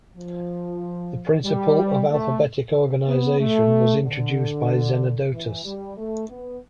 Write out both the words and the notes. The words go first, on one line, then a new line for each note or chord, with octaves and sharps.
The principle of alphabetic organization was introduced by Zenodotus.
F3
G3
A3
B3
A3
D3
E3
G3
A3
B3